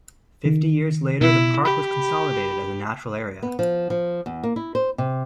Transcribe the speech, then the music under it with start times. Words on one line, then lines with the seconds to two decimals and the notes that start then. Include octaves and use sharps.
Fifty years later the park was consolidated as a natural area.
0.45 D#3
1.21 B2 E4
1.65 G4 B5
3.43 B3
3.59 F3
3.90 F3
4.26 E2
4.43 A#3
4.56 E4
4.75 C5
4.98 C3